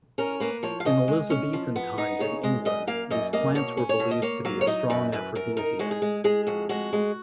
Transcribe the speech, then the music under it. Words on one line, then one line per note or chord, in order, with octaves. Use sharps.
In Elizabethan times in England, these plants were believed to be a strong aphrodisiac.
C#4 A#4
A#3 B4
F3 C#5
F5
C#3 D#5
G#3
C#4
F3
B3
D#4
C#3 C#5
G#3 D#5
F#2 D#5
A#3 F5
F#2 D#5
A#3 D#5
B2 C#5
C#4
C#5
B2
D#5
A#3 C#5
F#3 F5
C#5
D#4 D#5
F#2 B4
F#2 B4
F#2 A#4
D#4 A#4
G#3 F#4
G#4
G#3
G#3 G#4
F2 F#4
G#3 F#4
G#3